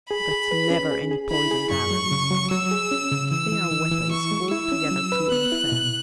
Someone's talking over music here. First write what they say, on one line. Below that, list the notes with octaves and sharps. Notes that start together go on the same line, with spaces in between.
But never any poisoned arrows--they are weapons altogether too unfair.
G#4 B5
G#4
B4
C#4
G#4
G#4
E4 B5
G#4
F#2 C#6
F#3
C#3
F#3
F#3 E6
G#4
C#4
C#3
E3 E6
E3
E3
E3
E4 C#6
G#3
E4 E6
C#4
F#3
B4
B3 F#6
E4
B2